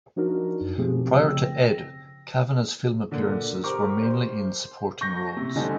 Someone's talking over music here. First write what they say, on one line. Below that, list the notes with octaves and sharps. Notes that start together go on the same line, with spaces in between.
Prior to "Ed", Cavanagh's film appearances were mainly in supporting roles.
F3 D4 D#4 F#4 A#4
F#2
B2 F3 A3 C4 G4 G#4
C#3 F3 G5 E6
A#6
A#2 D3
G4 A#4 C5 C#6 D6
C5
C#6 G6 A#6
C3
D3 G3 C4 D#4 G#5 A5